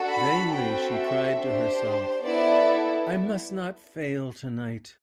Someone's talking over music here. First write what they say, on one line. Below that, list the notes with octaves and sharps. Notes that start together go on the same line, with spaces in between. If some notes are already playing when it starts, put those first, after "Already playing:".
Vainly she cried to herself, "I must not fail tonight."
Already playing: D4 F#4 A4
B5
C4 F#4 A4 G5
E5
D4 G4 C5
B3 E4 A4 D5